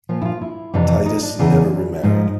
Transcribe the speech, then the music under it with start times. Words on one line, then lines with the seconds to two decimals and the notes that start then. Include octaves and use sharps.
Titus never remarried.
0.09 A#2 F3
0.22 E4
0.25 F4
0.41 E4
0.74 F2 C3 E3 D4
1.06 D#4
1.23 D4
1.39 E2 C#3 E3
2.03 G#2 F3 D#4